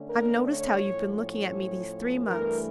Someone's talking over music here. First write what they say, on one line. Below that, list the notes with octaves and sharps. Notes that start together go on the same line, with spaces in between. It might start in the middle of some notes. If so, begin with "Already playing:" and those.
I've noticed how you've been looking at me these three months.
Already playing: D3 A3 C#4
A#4
C#5
A2 F3 C#4
C#5
G2 E3 A3 A#4